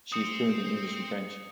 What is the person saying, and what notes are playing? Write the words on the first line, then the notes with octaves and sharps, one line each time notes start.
She is fluent in English and French.
C4 D#6 C#7